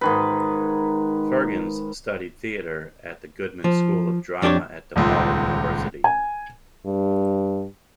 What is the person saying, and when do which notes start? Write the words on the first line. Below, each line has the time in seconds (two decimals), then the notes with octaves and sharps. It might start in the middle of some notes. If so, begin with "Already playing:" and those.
Firgens studied theatre at the Goodman School of Drama at DePaul University.
0.01 G#2 D#3 B4
3.64 F3
4.42 F2 D4 G4 G#4 C#5
4.96 D#1 C#2
6.04 G#5
6.85 G2